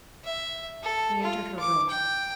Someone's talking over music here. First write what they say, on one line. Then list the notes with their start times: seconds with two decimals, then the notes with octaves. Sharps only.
We entered her room.
0.24 E5
0.83 A4
1.23 F4
1.60 D6
1.90 G5